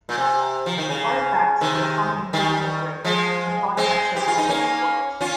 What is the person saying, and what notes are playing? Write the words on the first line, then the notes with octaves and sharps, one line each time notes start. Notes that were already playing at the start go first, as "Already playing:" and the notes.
The artifacts were a common inclusion in graves and thought to have ceremonial importance.
A#2
C3
F3
D#3
C#3
C3 D#3
D#3 G3
F3 G#3
G#3 C4
G4
F4
D#4
A#3 C#4
C#4 F4